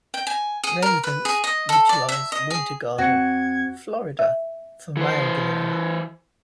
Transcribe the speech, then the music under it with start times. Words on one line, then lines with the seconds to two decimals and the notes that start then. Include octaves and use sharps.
Residents utilize Winter Garden, Florida for mail delivery.
0.14 G5
0.27 G#5
0.64 G#4
0.82 A#4
1.04 B4
1.25 G#4
1.44 D#5
1.69 A4
1.89 D5
2.09 E5
2.32 D#5
2.50 G#4
2.98 F2 C4 F#4 G#6 C#7
4.19 E5
4.97 E3 C5